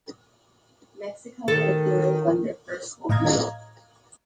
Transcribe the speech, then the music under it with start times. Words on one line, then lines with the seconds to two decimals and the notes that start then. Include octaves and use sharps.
Mexico and Peru won their first gold medal.
1.48 D#3 A4
3.09 A2 D#5 F5 A#5 G#6